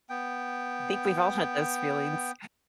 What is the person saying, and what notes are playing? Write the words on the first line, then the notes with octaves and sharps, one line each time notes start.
I think we've all had those feelings.
B3 G5